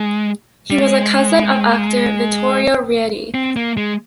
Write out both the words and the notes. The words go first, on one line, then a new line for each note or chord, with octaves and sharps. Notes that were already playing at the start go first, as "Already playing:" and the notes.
He was a cousin of actor Vittorio Rietti.
Already playing: G#3
G3
G#3
C4
A#3
G#3